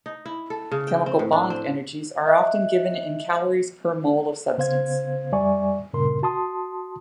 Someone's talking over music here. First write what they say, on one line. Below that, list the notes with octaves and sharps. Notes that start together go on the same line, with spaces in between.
Chemical bond energies are often given in calories per mole of substance.
D#4
E4
A4
C#3
G5
C4
A2
D4
C4
D#5 E5 F#6
C#3 B3 C5 F5 G#6
F2 G3 D5 E5 G#5 C#6
G2 A#2 C#3 A#4 C6
F#4 A5 C6 D#6